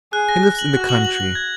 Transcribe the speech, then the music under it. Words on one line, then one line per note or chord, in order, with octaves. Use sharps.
He lives in the country.
G#4 F#6
A#6
F#6
F#7
F#4 F#6
F#7
F#7
F#7
G#6